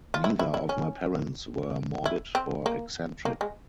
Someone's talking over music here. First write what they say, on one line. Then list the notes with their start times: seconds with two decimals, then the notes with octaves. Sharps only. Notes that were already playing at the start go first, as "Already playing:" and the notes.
Neither of my parents were morbid or eccentric.
0.14 F4
0.24 E4
0.39 E4
0.54 E4
0.69 C#4
2.06 E4
2.35 C4
2.66 A#3
3.25 A#3
3.41 G#3